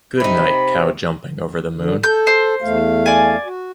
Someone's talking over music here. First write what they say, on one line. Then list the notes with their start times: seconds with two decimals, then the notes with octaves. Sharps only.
Goodnight cow jumping over the moon.
0.20 C3 D#4 B5
1.74 D3
2.03 A4 G6
2.27 C5
2.62 E2 A3 F5
3.06 D5 G#5
3.45 F#4